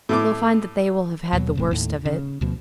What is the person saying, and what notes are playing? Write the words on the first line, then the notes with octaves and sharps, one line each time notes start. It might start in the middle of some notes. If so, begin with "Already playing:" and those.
They'll find that they will have had the worst of it.
A2 E4 D6
D#2 B2 F#3
F#1 A2 C3
D#2 A2
C#3
D2 B2 F3